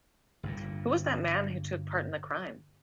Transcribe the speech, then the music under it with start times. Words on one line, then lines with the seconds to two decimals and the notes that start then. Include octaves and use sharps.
Who was the man who took a part in the crime?
0.43 G1 G2 A#2